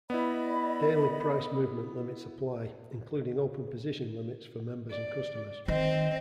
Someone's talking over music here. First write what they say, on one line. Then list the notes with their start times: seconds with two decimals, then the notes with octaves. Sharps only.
Daily price movement limits apply, including open position limits for members and customers.
0.10 B3 E4 D5 D#5 B5
4.90 D5
5.68 D#3 C4 C5 D#5